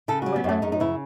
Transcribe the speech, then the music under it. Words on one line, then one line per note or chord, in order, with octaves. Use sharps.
And what about you?
C#3 A4
F#3 F#4
B3
F#2 A3
F#2 D#4
D#4
C#3 E4